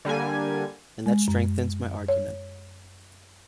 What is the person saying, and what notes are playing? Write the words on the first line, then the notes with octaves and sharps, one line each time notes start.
And that strengthens my argument.
D3 G3 A#3 G#5
G#3
F#2
C#5